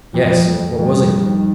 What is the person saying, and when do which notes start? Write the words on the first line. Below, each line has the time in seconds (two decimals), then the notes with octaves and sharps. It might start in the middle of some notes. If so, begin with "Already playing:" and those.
"Yes, what was it?"
0.14 F2 F3
0.36 F2
0.47 A3
0.57 F2
0.78 F2 G3
1.00 F2
1.22 D#3